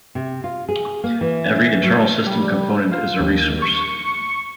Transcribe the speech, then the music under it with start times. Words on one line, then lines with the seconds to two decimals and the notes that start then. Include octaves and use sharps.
Every internal system component is a resource.
0.15 C3
0.44 F4
0.68 G#4
1.04 A#3
1.21 E3
1.83 F#3
2.26 G3
2.92 F4
3.20 D#2
3.62 C#6